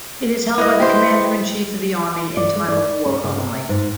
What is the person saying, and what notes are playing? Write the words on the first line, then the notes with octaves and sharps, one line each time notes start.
It is held by the commander-in-chief of the Army in time of war only.
E4 B4 D#5
G4 C5
D5
G#3
D5
C#4
C#3
C3
G#2